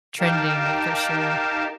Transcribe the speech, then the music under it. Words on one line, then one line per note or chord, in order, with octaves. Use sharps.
trending, uh, for sure.
D#4 G4 A#4 F5 G5 A5